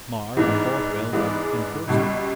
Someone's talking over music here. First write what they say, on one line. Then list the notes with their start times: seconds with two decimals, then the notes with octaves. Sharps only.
Mar and Bothwell enforced it.
0.37 G#2 E3 G#3 B3 D4
1.12 G#2 E3 G#3 B3 D4
1.87 C#2 B2 G3